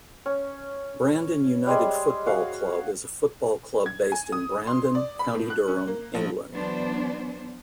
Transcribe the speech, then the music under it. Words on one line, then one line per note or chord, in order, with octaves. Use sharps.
Brandon United Football Club is a football club based in Brandon, County Durham, England.
C#4
G3 G#3 G#4
F#4 F5
G#6
G#5
D#6
C6
D5
B5
A2
F#6
C#4
A#3
A#1
E3 F#3 B3 D4 C5